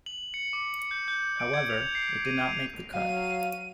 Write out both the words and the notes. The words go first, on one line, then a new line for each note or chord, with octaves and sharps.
However, it did not make the cut.
F#7
C#7
D6
C#7
G6
G6
D7
G#6
F7
C7
D#7
F7
F#3 F5 D#7